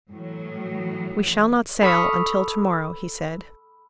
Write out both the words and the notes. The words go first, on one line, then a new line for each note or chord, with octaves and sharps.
"We shall not sail until to-morrow," he said.
A2 E3 F#3
A4 B5 C#6 D#6 F6